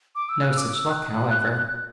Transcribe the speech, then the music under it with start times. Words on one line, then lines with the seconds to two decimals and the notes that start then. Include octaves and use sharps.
No such luck, however.
0.15 D6
0.29 E6
0.42 F#6
0.51 E6
0.58 D6
0.74 E6
0.89 F#6